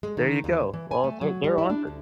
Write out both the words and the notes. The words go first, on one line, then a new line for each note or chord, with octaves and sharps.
There you go. Well, they're they're on it.
G#3
D#3
D#2
E3
G#5
A3
F#3
G3
E4
D4
D2